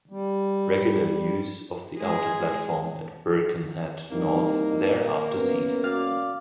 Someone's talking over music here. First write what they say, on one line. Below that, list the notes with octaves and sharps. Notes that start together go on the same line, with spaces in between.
Regular use of the outer platform at Birkenhead North thereafter ceased.
G3
G#3 G#4
C2 A#3 D#4
F#2 B3
F#4 D5 F5